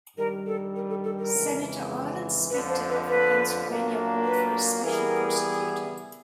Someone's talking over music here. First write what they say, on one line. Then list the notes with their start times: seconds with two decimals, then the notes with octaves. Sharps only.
Senator Arlen Specter of Pennsylvania called for a special prosecutor.
0.17 G2 D#3 G3 A#4
0.46 A4
0.75 A#4
0.89 A4
1.04 A4
1.19 A#4
1.33 F2 C#3 E3 G#3
2.49 F2 D3 F3 B4
2.69 C5
2.89 B4
3.08 B4
3.66 A#2 F#3 A#3 D4
4.25 B4
4.83 E3 G3 B3 E4 G#4 A#4